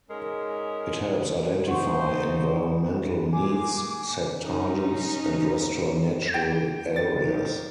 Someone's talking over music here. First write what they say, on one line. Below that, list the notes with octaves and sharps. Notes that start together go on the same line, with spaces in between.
It helps identify environmental needs, set targets, and restore natural areas.
G#2 G#3 C#4 A#4
D#4 C5 F#5 C#6
A#2 G#4 G#5 D6
C#4 D#4
G5
A6
D#3